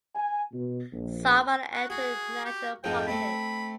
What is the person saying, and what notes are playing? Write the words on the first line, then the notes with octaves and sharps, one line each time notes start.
Zafar and entered national politics.
G#5
B2
A#1
F#4
F#4 G#4
G4
F2 G#2 F3 G5
A3 C4 B5